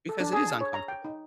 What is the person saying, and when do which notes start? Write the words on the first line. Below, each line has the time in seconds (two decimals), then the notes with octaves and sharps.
because it is uncomfortable.
0.09 A4
0.20 D4
0.33 G#4
0.47 A5
0.61 C#5
0.74 A#5
0.88 G5
1.05 D#4